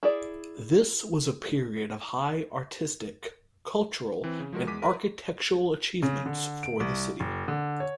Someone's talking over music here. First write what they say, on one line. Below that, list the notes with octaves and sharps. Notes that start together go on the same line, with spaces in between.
This was a period of high artistic, cultural and architectural achievements for the city.
E4 G#4 D5
E3 C4
C#3
F3 G#3 F#4 A#4
E2 G#3 D6 B6 D#7
A#4 B4 D5
C#3
D3
D7
C2
F#1
D3
C#5